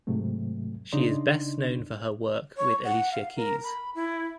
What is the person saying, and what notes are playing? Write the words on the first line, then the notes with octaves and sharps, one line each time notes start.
She is best known for her work with Alicia Keys.
G#2 C3 F#3 A3
C#3 D4 D#4 D5 D#5 C6
C#5
F#5
F5
A#4
B5
E4